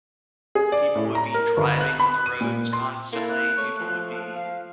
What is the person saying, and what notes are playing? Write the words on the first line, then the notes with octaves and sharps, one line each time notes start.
people would be driving on the roads constantly. People would be,
G#4
D5
A2
A#5
A#4
G1
F#6
B5
D#7
A#2
C6
A#3 E4 A4
F#6
A3 C#5
F3
F5